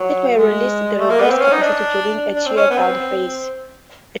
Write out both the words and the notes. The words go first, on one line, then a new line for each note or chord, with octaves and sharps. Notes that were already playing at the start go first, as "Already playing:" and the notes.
It may release the reserved capacity during a tear down phase.
Already playing: F#3
G#3
A3
A#3
B3
C4
C#4
D#4
D4
D4
C4
C#4
B3
C4